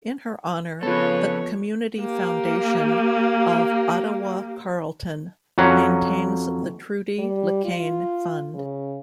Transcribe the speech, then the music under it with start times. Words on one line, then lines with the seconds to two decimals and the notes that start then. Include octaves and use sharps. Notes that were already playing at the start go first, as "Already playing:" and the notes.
In her honour, the Community Foundation of Ottawa-Carleton maintains the Trudi LeCaine Fund.
0.83 C#3 F3 B3 F4 A4 B4 C#5
2.00 A#3 G4
5.58 F2 F#3 C#4 F#5 A#5
7.18 G3
7.64 F4
8.54 C#3